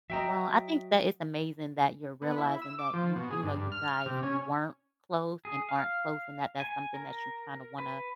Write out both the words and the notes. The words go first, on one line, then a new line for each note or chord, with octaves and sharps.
Well, I think that it's amazing that you're realizing that you you know, you guys weren't close and aren't close, and that that's something that you kinda wanna
F#3 D#5 E5 G5 A#5
B3
E4
E6
D6
F3
B2
G#4
G2
G2
F6
C3
C#4
G#4
F5
G#5
A#4
B4